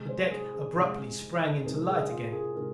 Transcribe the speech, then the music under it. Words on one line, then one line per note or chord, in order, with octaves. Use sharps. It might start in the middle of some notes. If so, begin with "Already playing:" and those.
The deck abruptly sprang into light again.
Already playing: C3 G#3
C5
G#4
G#4
C3 G#3
G#4
C3 G#3 A#4
A#4
G#4
F4
A#4
G#4
C3 G#3 A#4